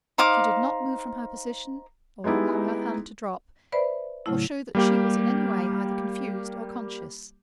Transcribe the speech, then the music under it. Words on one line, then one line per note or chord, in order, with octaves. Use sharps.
She did not move from her position, or allow her hand to drop, or show that she was in any way either confused or conscious.
D#4 C5 F5 D6
G#3 B3 D#4 E4 G4
B4 C5 D5 E5 B5
A2 C#3 F#3 A3 E4
G3 A#3 G4